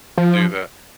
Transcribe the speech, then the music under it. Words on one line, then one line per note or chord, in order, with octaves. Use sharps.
to do that.
F3